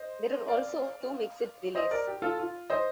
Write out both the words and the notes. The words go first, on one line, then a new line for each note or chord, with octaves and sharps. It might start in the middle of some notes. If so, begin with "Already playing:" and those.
There are also two mixed relays.
Already playing: C5 D#5
D5 F5
C5 D#5
A#4 D5
G4
F4 A4
F4
C5 D#5